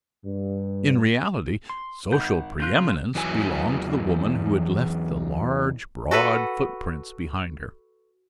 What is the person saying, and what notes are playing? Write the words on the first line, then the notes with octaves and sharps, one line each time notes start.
In reality, social preeminence belonged to the woman who had left the large, broad footprints behind her.
G2
C6
G#1 F#5 G6
C#3 F4 F#6 G6
E2 E3 F#3 G#5
F#4 A4 B4 F#5